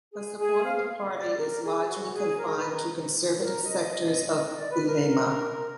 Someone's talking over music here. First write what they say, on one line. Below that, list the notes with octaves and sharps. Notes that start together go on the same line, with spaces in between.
The support of the party is largely confined to conservative sectors of ulema.
G#4
G#4
F5
D5
A#4
G#4
F#4
G#4
A#4
B4
A#4
A#4
D#5
D#5
D5
B4
A#4